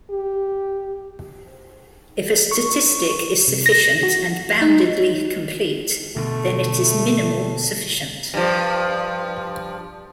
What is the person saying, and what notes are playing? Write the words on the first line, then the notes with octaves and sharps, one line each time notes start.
If a statistic is sufficient and boundedly complete, then it is minimal sufficient.
G4
C#6
C3
A#6
F#4
D#4
B2 D3 A3
G2 F3